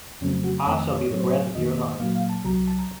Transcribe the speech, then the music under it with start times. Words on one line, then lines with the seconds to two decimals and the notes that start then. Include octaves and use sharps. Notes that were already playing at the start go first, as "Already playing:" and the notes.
I shall be the breath of your lungs.
0.21 F2 C#3 F#3 A3 C4 C#4
0.44 F#4
0.66 F2 D#3 A3 C4 C#5
0.77 D#5
0.88 F5
0.99 C#5
1.10 A2 F#3 A3 C4 C#5
1.20 C5
1.28 C#5
1.55 F2 D#3 A#3 D#5
1.78 D#5
2.00 A#2 F#3 A#3 F5
2.15 F5
2.29 A5
2.44 C2 C3 F#3 A#5
2.68 A5
2.79 A#5